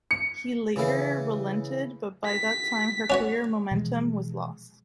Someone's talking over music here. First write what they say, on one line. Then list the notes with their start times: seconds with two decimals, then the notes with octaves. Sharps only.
He later relented but by that time her career momentum was lost.
0.11 C#7
0.76 C#3 E3 E4 F5
2.25 B6
3.10 C#4 F#4 C#5
3.71 B2 E3 F3 G#3